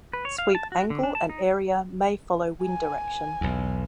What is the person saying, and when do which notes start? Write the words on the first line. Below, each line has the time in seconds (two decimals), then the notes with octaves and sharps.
Sweep angle and area may follow wind direction.
0.13 B4
0.25 C#5
0.38 F5
0.55 A5
0.72 F#4
0.90 D3
1.03 D4
1.15 A5
1.29 D#4
2.63 G#5
3.41 B1 E2